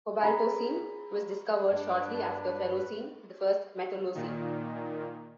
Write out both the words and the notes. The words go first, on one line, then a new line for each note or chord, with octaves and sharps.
Cobaltocene was discovered shortly after ferrocene, the first metallocene.
G#4 A#5 B5
G2 D4 B4
A#2 D#3